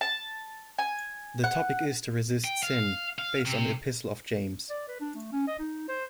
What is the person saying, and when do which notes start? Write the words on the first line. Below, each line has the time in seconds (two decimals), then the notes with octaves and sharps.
The topic is to resist sin, based on the Epistle of James.
0.01 A5
0.79 G#5
1.44 F#5
2.44 G5
2.63 F5
3.18 F5
3.45 C3
4.70 D5
4.88 B4
5.00 D4
5.15 A3
5.32 C#4
5.47 D#5
5.59 D#4
5.89 C5